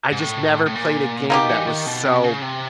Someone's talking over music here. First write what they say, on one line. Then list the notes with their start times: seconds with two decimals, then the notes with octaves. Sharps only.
I just never played a game that was so
0.12 G#2
0.19 A2
0.66 A2
0.75 A#2
1.30 B2 A#3 D#4 G4
1.49 E3
1.67 D#3
1.86 B2
2.05 C3
2.24 C#3
2.42 C3